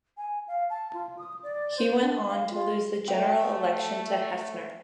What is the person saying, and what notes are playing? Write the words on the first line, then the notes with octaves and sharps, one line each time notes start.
He went on to lose the general election to Hefner.
G#5
F5
A5
F4
D#6
D5
C5
D4
F5
F4
A3 G5